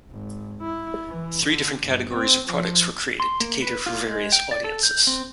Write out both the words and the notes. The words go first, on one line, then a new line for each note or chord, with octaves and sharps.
Three different categories of products were created to cater for various audiences.
G#1
E4
E3
D3
G1
C4
F3
C6
A#3
B4
F4
G#3
G5
D5
A4
G6
C4